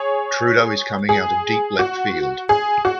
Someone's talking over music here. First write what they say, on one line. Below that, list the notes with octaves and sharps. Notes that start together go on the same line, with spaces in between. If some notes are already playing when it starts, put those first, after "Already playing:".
Trudeau is coming out of deep left field.
Already playing: G#4 C#5
G#4
F#4
G#4
F#4